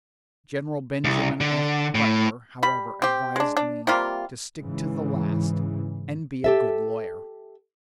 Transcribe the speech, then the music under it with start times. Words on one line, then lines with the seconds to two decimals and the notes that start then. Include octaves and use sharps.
General Benjamin F. Butler, however, advised me to "stick to the last" and be a good lawyer.
1.04 C2
1.41 D3
1.95 A2
2.63 G3 B5
3.02 C4 G4
3.36 G#3 D4
3.57 D4
3.87 C3 G3 A#3 F4
4.58 G#2 C#3 E3
6.44 G4 A4 E5